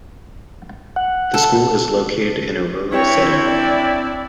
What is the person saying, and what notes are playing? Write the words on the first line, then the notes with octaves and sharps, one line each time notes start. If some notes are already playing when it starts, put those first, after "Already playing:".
The school is located in a rural setting.
F#5
A4
C4 D4 E4 C#5
D5